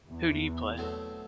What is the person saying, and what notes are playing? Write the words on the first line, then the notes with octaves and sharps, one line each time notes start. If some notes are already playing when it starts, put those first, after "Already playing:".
Who do you play?
E2
B2 F#3 A3 C4